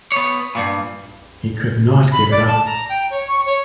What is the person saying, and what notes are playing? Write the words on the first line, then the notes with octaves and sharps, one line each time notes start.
He could not give it up.
B3 C#5
G2 A#2
B5
D5
A5
A#5
G5
C#5
C#6
C#5